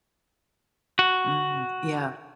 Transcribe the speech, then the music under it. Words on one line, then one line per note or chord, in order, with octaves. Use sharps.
Mm, yeah.
F#4